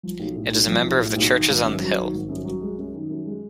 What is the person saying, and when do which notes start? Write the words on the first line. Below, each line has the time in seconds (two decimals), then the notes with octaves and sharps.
It is a member of the Churches on the Hill.
0.03 F3
0.20 B1
0.35 A2
0.51 B1
0.67 F3
0.84 B1
1.00 A2
1.16 B1
1.32 D#3
1.49 G#1
1.64 F#2
1.80 F#3
1.97 D#3
2.13 G#1
2.29 F#2
2.45 F#3
2.61 G#3
2.78 F#2
2.93 D#3
3.10 F#2
3.26 G#3